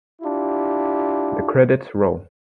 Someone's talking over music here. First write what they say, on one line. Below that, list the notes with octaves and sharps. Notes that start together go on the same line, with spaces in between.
The credits roll.
D4 E4 F4 G4